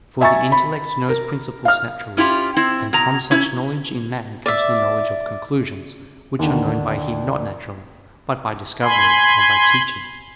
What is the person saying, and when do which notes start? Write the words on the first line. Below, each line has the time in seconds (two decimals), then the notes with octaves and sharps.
For the intellect knows principles naturally; and from such knowledge in man comes the knowledge of conclusions, which are known by him not naturally, but by discovery, or by teaching.
0.21 D#5 E5 G#5 A#5 C#6 A6
0.52 B5
1.09 A#4
1.65 F5 F6
2.17 C#4 E4 F4 G4
2.56 C4 E4
2.93 B2 A#5
3.31 C#4 E4
4.46 D5 E5
6.39 D#2 D3
8.82 G#5 B5 C6